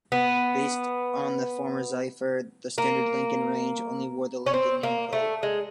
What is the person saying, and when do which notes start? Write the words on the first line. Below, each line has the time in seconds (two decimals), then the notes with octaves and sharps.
Based on the former Zephyr, the standard Lincoln range only wore the Lincoln nameplate.
0.12 B3
2.78 A#3
4.46 C#4
4.54 C4
4.83 A#3
5.13 A3
5.43 G#3